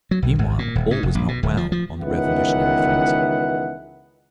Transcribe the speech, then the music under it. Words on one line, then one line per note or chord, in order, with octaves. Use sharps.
Meanwhile all was not well on the revolutionary front.
F#3
B1
G#1
A#2
D#1
G#2
F1
A#1
B2
D1
F3
F3
C#2 D#3 E3 B3 E5 F#5